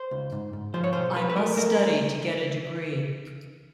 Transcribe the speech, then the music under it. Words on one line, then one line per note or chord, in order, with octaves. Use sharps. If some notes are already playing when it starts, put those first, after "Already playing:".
I must study to get a degree.
Already playing: C5
C#2
G#2
G#2
F3 C5
C#5
B1 C5
F#3 B4
B4
A3 A#4
A3 A#4
A3